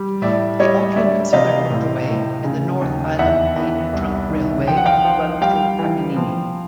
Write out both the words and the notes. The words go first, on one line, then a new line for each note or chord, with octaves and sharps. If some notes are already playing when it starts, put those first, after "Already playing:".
The Auckland Southern Motorway and the North Island Main Trunk Railway run through Takanini.
Already playing: G3
A2 D5 E5
G3 C#5 D#5
D2 D5 E5
C3 D#5 F5
A2
A2
C#3
D#2
E2 E5 F#5
E2
C2
D#3
F3 G5
F#5
F5 G5
F3
G3 F5 G5
E3
F3